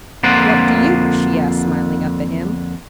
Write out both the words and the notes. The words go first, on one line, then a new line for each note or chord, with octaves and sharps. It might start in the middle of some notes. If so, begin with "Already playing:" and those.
"What do you?" she asked, smiling up at him.
F2 D3 A#3 F4 C5 F#5